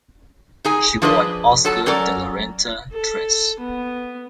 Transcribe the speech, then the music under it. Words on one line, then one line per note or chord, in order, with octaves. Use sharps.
She wore an Oscar de la Renta dress.
D#4 G#4 G#5
F3 D4 G#4 B4 C#5 D#5
F#3 A4 A5
F#3 C#4 A4 A#4 D5
A4
B3